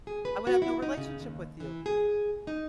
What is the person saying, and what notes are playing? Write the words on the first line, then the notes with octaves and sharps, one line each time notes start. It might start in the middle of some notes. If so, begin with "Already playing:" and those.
I would have no relationship with you,
G#4
B4
F#4
E4
D#4
C#3
D#2
E3
G#4
D#4